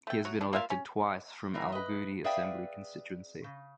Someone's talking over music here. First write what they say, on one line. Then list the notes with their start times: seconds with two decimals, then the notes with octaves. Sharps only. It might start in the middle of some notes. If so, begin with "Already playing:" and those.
He has been elected twice from Alangudi assembly constituency.
0.07 A3 G5
0.25 F#3 F#4
0.41 D4
0.53 A#3 F4 E5 F5
0.70 C#4
1.54 E3 A#3 E4
1.72 B4 D#5
2.24 G#4 B4 D5 E5 F5 G5
3.44 C#3